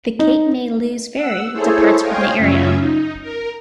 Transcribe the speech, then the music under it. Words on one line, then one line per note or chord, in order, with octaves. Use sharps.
The Cape May-Lewes Ferry departs from the area.
D#4
F#5 E6
E4 G#4 A4 C5 C#5
C5 C#5 D#5 F5 G5 G#5
F#2 C#3 C#4 F4 E5
D#4
A#4